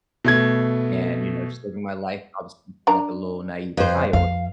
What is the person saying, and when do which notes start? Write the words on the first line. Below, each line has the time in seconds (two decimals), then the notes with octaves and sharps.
and, you know, just living my life, obviously being, like, a little naive child,
0.24 B2 A3 G#6
2.87 D4 A#4 A#5
3.77 F2 C5
4.13 F2 F5